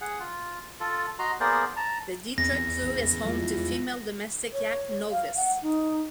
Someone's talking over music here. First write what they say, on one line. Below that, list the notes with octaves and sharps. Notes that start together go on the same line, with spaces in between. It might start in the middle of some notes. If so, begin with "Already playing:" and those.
The Detroit Zoo is home to female domestic yak, Novus.
G#4 F#5
F4
F4 A4
F#4 D#5 A#5 C6
A#3 B3 G#4 A#4 C5 D5
A5 A#5
E2 C4 A#6
A#1 C#3 B3
F3 G3 G#3 E4 F4
C#5
F5
F#5
D#4